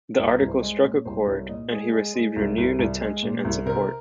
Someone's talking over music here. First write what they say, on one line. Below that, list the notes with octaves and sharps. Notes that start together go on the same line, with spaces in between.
The article struck a chord, and he received renewed attention and support.
C2 A#4
C2
C5
G#3
C#5
A#2
C2 C5
C2 C#5
A#2 D#5
G#3 G#4
G#3
G#3
C2
C2
C2
G#3
A#2
C2
C3 A#4